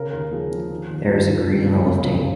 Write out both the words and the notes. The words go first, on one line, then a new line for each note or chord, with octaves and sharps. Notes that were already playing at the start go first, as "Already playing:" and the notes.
There is a green roll of tape.
Already playing: C#3 A#4
D#2
F3 G#4
F3
D#3
D#2
D#3 F4
D#3
C#2
C#2
C#3
C#2